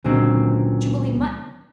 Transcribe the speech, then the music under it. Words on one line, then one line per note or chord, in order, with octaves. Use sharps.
Jubilee mutton.
C#2 A#2 D3 F#3 C4